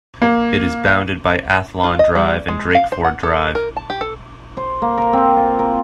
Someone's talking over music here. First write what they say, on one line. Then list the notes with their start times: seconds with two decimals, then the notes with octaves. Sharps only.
It is bounded by Athllon Drive and Drakeford Drive.
0.22 A#3
1.84 F4
1.99 D#5
2.15 G3
2.48 G#3
2.75 F5
2.92 C5
3.04 F#5
3.23 A4
3.55 A#4
3.77 A5
3.90 G4
4.01 A4
4.57 C5
4.82 A#3
4.97 A#4
5.13 C4
5.37 F4
5.59 A#4